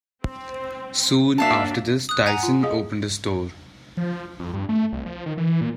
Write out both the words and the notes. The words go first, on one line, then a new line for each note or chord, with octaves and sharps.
Soon after this, Tyson opened a store.
C4
F#3 A#3 D4 E5 F5 A5
D#6 F#6
F#5 G#5 A#5
F4
G#4 D#5 F5
F3
F2
G2
A3
C2
F3
D#3
E3
A#2